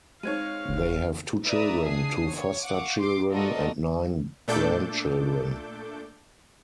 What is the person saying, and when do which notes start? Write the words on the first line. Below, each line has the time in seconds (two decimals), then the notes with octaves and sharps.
They have two children, two foster children, and nine grandchildren.
0.23 G#3 C4 D#4 C#5 F5 G#6 D#7
0.69 F#1
1.44 B4 D5 E5 A#5 D#6
1.84 D4 G#4 D#6 C7
2.24 C#5
2.63 F5 F#5 C#6 D6
3.00 C6 D6 C7 D7
3.30 F4 F#4 A4 A#4 D5 D#5
4.48 A#2 A3 D4 A4 D6 G6